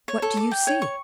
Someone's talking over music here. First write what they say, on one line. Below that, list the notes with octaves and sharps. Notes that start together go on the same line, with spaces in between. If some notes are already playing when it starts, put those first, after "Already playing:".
"What do you see?"
C#5
A4
D6
G5
C#5
C#6